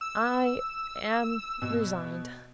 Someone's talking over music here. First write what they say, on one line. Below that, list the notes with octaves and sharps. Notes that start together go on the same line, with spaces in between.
I am resigned.
E6
B2